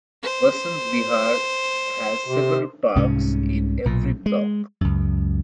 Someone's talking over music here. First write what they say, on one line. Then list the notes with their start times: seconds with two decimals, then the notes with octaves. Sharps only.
Vasant Vihar has several parks in every block.
0.23 C5
2.28 C3
2.96 C2 G#2 C3 C#4
3.85 B1 A#2
4.26 G#3
4.81 C#2 F#2